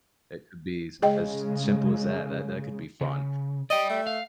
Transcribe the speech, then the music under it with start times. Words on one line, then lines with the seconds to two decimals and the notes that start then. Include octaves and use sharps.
It could be s as s simple as that. That that could be fun.
1.02 C#3 G#3 G#4 D#5 G5
3.01 C#3
3.70 D5 D#5 G5
3.90 A3
4.07 F5